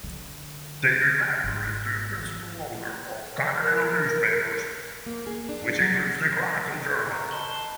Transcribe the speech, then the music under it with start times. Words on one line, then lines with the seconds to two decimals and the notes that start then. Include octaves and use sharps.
David Radler is the principal owner of Continental Newspapers, which includes The Chronicle-Journal.
0.04 D3
1.44 G#1
3.62 A#4
5.06 A#3
5.27 G#4
5.49 D4
5.80 F#3
7.07 C#3 A#5 C#6
7.33 B4 D#5 A5 B5 C6